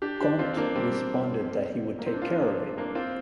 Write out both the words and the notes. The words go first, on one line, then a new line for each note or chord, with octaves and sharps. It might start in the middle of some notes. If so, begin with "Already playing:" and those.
Conte responded that he would take care of it.
D4 G4
D4 G4
C4 F4
A#3 D4
G3 C4
A#3
C4
D4
C4 F4
A#3 D4
A#3 D4
C4 F4